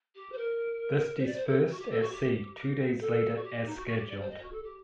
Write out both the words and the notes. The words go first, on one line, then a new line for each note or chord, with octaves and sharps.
This dispersed at sea two days later as scheduled.
G4
C5
A#4
C5
D5
C5
A4
F#4
G4
A4
F#4
G4
A4
F#4
G4
G4
D#4
F#4
F#4
G4
D5
C5
D#5
F#4
A4
G4